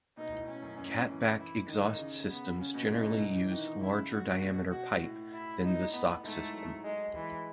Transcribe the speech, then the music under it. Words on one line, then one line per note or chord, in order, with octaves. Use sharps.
Cat-back exhaust systems generally use larger diameter pipe than the stock system.
B2 D#4
A2
C#4
F#2
F#2
A2
E3
E4
D#3 D#4
C#3
B3
C#3 C#4
B2
A2 D#4
B2
E3
D#3 D#4
C#3 E4
F#4
B2
F#4
A2
E4
D#4
B3
G#2 A3
A2
F#3
G#3
E3 G#3